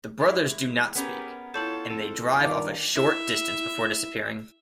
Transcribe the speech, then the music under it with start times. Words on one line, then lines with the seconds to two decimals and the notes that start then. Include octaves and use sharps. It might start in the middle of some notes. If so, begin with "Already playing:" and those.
The brothers do not speak, and they drive off a short distance before disappearing.
0.19 E3 G#3 E4
0.95 B3 C#4 G4 G#4 A#4 B4
1.54 E4 F4 A4 C#5 A5 G6
1.90 F2 A4
2.40 G2 D#3 F4 D5 F5 A5 D6
2.96 E4 E5